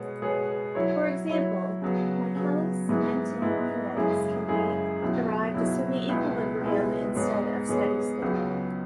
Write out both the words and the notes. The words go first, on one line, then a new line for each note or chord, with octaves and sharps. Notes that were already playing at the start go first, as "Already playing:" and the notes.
For example, Michaelis-Menten kinetics can be derived assuming equilibrium instead of steady state.
Already playing: B2 G#3 B3 G#4 C#5
B2 G#3 B3 G#4 C#5
F#3 E4 C#5
F#3 E4 C#5
C#3 F#3 B3
C#3 F#3 B3
G#2 G#3 B3 E4
G#2 G#3 B3 E4
F#2 C#3 G#3 E4 G#4
F#2 C#3 G#3 E4 G#4
C#2 B2 F#3 E4
C#2 B2 F#3 E4
C#2 B2 G#3 E4 B4
C#2 B2 G#3 E4 B4
G#2 G#3 B3 G#4 C#5
G#2 G#3 B3 G#4 C#5
C#2 C#3 F#3 B3